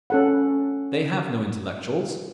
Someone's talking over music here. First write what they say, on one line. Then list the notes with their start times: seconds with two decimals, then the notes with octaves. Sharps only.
They have no intellectuals....
0.10 C#4 A4 F#5